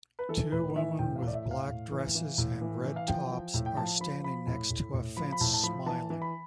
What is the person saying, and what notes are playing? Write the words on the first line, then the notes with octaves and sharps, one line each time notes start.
Two women with black dresses and red tops are standing next to a fence smiling.
B4
E3 A4
A2 B4
E3 E5
A2 G5
F5
A2
D5
E5
A2
F5
A2
E3
E3
A2
E3
E3
F5
F3 G5
F3
A2
G5
F3 A5
F3 B5
F3 B5
A2
A2
A2
F3 B5
B5
A2 A5
A5
F3 B5
E3 A5
E3
B5